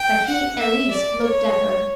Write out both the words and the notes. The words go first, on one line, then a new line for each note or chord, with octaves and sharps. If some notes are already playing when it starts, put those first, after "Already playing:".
But he at least looked at her.
Already playing: G5
F#5
E5
D5
C#5